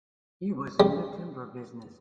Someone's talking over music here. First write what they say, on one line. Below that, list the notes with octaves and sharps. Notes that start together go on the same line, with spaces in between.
He was in the timber business.
G3